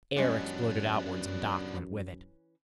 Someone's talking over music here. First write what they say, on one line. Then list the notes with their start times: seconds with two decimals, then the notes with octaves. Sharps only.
Air exploded outwards, and Doc went with it.
0.17 F#2 E3 G3 G#3 B3 C#4 D4 D#5